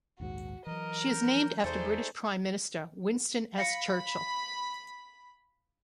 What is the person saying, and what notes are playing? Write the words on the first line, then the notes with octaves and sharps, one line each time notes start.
She is named after British Prime Minister Winston S. Churchill.
A#1 D#2 G#2 F#4
E3 F#3 A#4 D#5
F3 C#4 G6
E2 A3 D#4 G#4 C5 D5
F5 B5 A#6 C#7